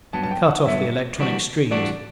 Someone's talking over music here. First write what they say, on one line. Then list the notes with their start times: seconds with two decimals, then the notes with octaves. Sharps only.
I cut off the electronic streams.
0.13 G2 F#3 B3 A5
0.23 A5
0.31 G5
0.49 F#5
0.66 G2 F#3 B3 E5
1.18 E3 G3 D4 F#4
1.71 E3 G3 D4 F#4 D5